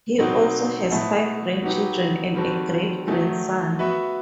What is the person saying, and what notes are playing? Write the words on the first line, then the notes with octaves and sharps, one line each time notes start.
He also has five grandchildren and a great-grandson.
B2 F#3 C4 D#4
B2 A3 E4 A4 D#5
F#3 B3 D#4 G4
D#3 G3 C4 F#4 A4
D#3 F#3 A3 D#4
B3 F#4 B4 E5